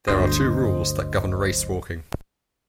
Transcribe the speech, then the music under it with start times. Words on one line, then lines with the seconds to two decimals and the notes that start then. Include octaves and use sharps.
There are two rules that govern racewalking.
0.07 G1 D2 D3 F#3 C5 D#5